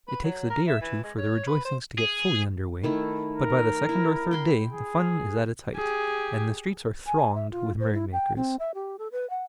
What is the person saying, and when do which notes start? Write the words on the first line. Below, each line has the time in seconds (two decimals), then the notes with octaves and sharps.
It takes a day or two for the rejoicings to get fully under way, but by the second or third day the fun is at its height, and the streets are thronged with merrymakers.
0.08 B4
0.24 F#3
0.50 A#4
0.67 E5
0.81 E3
1.04 G#3
1.18 C#5
1.47 B4
1.65 C5
1.98 G#4
2.83 D#3 A3 E4
3.31 A#4
3.89 E4
4.31 G5 B5 C6
4.71 G#4
5.76 G4 G#4
7.07 G#5
7.35 E5
7.51 F4
7.80 C5
7.93 E4
8.13 G5
8.36 C4
8.59 E5
8.75 G4
8.99 A4
9.12 B4
9.30 F#5